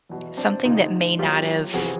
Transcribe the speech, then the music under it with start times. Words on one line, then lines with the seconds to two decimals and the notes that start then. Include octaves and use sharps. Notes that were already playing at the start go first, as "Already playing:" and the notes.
something that may not have
0.09 E2 B2 F#3
0.37 C4 D4
0.64 D2 C3 F3 D#4 F4
1.19 B1 A2 F#3 F4 G4
1.73 F2 C3 E3 F#4 G#4